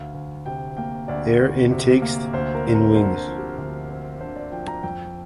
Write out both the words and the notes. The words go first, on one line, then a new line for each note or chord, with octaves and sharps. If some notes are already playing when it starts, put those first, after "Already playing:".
Air intakes in wings.
Already playing: D2 F5
D2
C3 G5
A#3 G5
D2 D5
D2
C3
A#3
D2 C5
A#4
C4
A#4
D3 C5
A#4
F3
G4
D2
C4
D3 C5
D5
F3 G5
A#5
F2 G5